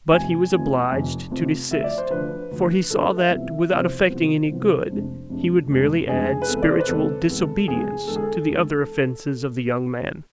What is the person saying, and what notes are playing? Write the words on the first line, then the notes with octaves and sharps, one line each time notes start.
But he was obliged to desist; for he saw that, without effecting any good, he would merely add spiritual disobedience to the other offenses of the young man.
F1 F2 C3 F3 G#5
F1 F2 C3 F3
F1 F2 C3 F3
F1 F2 C3 F3
D2 D3 F3 E5
D5
C5
D2 D3 F3 B4
D2 D3 F3
D2 D3 F3 A4
B4
E5
C2 C3 F3 B3 E5
C2 C3 F3 B3 C5
C2 C3 F3 B3
C2 C3 F3 B3
F1 F2 C3 G#3 D4
F1 F2 C3 G#3 D4
F1 F2 C3 G#3 D4
F1 F2 C3 G#3 D4 G#4
B4
E2 C3 G#3 B3 A4
D5
C5
B4
E2 C3 G#3 B3 A4
E2 C3 G#3 B3
E2 C3 G#3 B3 G#4
E2 D3 G#3 A4
G#4
A4
E2 D3 G#3